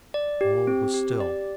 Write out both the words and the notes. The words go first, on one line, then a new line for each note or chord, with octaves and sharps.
All was still.
D5
G4
C4
G4
D5